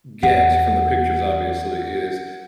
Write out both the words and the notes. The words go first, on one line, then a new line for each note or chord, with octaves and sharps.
get from the pictures, obviously is,
E2 F#5